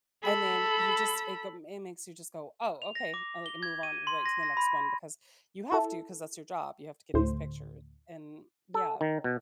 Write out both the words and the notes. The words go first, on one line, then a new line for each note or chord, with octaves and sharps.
And then you just it go it makes you just go, "Oh, okay," I like, move on right to the next one because you have to, ‘cause that's your job; you have to get these pictures, and yeah.
A4 B5
F7
A#6
D6
G7
G#6
D#7
C6
A#6
A#6
B5
E4 A4
D2 A2 C5
A4
D#3
B2